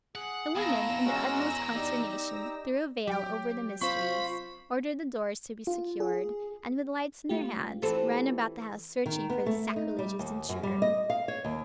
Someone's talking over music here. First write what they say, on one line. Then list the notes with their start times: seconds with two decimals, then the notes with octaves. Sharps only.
The women in the utmost consternation, threw a veil ever the mysteries, ordered the doors to be secured, and with lights in their hands, ran about the house searching for the sacrilegious intruder.
0.15 G#4 F#5
0.55 E2 B3 F5 A5 A#5 E6 A#6
1.05 G#3 C#4 F#4 G#5
1.75 D#4 G4 D5
3.07 F#3 G4 G5
3.82 C4 F4 C5 B5 C#6
5.67 F4
6.00 G#4
7.29 A3 F4 G4
7.82 E3 C4 A4
9.06 D#3
9.30 B3
9.46 A3
9.76 D#4
9.99 G3
10.19 D#2
10.49 F#2
10.63 G3
10.82 D#5
11.10 F5
11.28 C#5
11.45 D#2